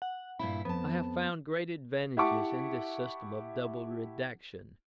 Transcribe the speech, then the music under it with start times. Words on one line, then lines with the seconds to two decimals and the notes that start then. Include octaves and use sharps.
I have found great advantages in this system of double redaction.
0.02 F#5
0.39 G2 A#2 E4 B5
0.65 F2 B3 A5
2.17 E4 G4 F#5 A5 C#6 D6